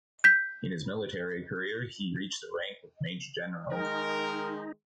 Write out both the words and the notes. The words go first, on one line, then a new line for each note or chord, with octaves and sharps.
In his military career he reached a rank of major-general.
G6 B6
D#3 G#3 D#4 A#4